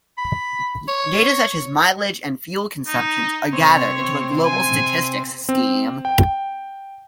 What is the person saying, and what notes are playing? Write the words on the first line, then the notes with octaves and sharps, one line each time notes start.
Data such as mileage and fuel consumption are gathered into a global statistics scheme.
B5
C#5
D#4
C3 C4 C#5
G#5
C4
G5